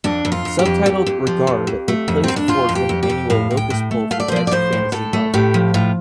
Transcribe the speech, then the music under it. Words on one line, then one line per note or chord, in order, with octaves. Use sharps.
Subtitled "Regard", it placed fourth in the annual Locus Poll for best fantasy novel.
F2 D4
F2
F4
F2
G4
F2
F2
F2
F3
F2
F2
A3
F2
F2 C4
D4
F3 F4
F2
G4
F2
G4
F2
A2 F5
A2
G5
A2
A3
A3 F5
D5
C5
F3 D5
D5
A2 C5
A2
A2 A4
A3
A2 G4
F3
A2 F4